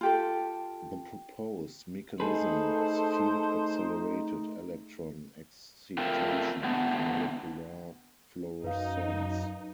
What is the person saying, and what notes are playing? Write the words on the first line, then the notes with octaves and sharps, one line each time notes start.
The proposed mechanism was field-accelerated electron excitation of molecular fluorescence.
F4 G4 A4
A3 D#4 G#4 A4 B4 C5
A3 C4 F4 A#4
A2 D3 B3
F#2 D#4 B4 F5